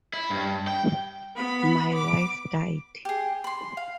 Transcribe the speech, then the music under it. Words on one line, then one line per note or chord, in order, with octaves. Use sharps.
My wife died.
E4
G2
G5
B3 B5
D6
G4 G#4
B5 C6
F5